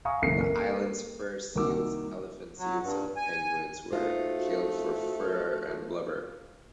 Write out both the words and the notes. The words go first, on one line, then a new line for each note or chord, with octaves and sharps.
The island's fur seals, elephant seals and penguins were killed for fur and blubber.
E5 F5 G#5 A#5 C#6 D#6
F#1 B1 E3 A#3 A4 C7
A#3 A4 A#4
C2 D#3 A#3 F#4 D6 E6
F#3
G2
G#5
A3 D#4 F4 F#4 C5